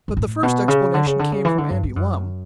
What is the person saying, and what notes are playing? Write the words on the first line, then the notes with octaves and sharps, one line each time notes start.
But the first explanation came from Andy Lumm.
G2
A2
B2
C#3
D3
C#3
D3
C#3
E3
D3
G2
G2
F#2